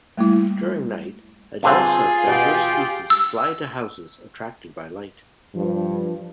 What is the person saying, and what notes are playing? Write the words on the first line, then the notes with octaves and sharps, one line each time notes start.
During night, adults of diverse species fly to houses attracted by light.
G3 A3 A#3 E4
G2 D3 C4 F4 G#4
B2 G4
E6
G2 F3